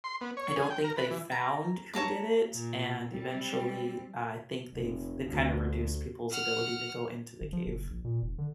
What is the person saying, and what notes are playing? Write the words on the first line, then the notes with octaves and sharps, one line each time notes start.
I don't think they found who did it, and eventually, I think they've they've kind of reduced people's ability to go into the cave,
C6
B3
C#5
G#4
G5
A#4
B4
E3
A#5
C#5 A5 A#5 D6
A#2
G3 C4
F1
D2
F#5 F6
G1
F3
F#1
A#1
A#2
F1
D3